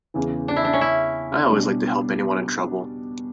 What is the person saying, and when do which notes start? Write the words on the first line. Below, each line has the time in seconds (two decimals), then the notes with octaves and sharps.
I always like to help anyone in trouble.
0.14 E2 C#3 E3
0.48 D4
0.56 E4
0.65 D4
0.73 C#4
0.81 E4
1.50 B2 G3 D4